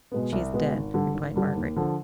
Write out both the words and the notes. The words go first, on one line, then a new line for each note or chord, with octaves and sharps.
'She is dead,' replied Margaret.
B2 G#3 B3
C2
B2 G#3 B3
G#1
G2 D3 G3
G#1
G2 D3 G3
D#2
D3 F3